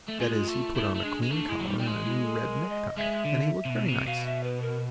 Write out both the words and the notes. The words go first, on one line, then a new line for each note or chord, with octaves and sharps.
That is, he put on a clean collar and a new, red necktie, and he looked very nice.
A3
G#3 F4
A3
A3 E4
A3
G#3 D4
G#3
A3 D4
G#3 E4
F#3
G3 D#4
G3
G#3
E4
A4
A#4
D#5
G#3 E5
D3
C3
B2
C3
B2 F5
E5
B4
A#4